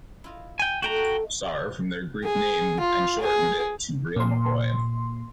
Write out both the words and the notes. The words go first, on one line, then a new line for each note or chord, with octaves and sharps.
Sar" from their group name and shortened it to "Real McCoy.
E4 F4 D#5
G5 G#5
A3 D4 F#4 G5 A#5
G#4
F4
G#4
A#2 C6